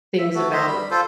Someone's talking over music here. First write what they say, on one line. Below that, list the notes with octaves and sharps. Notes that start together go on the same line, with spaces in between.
things about
E5
A3 F#4 A4
C5 D#5 E5 C6
G3 B5
F4 A4 C5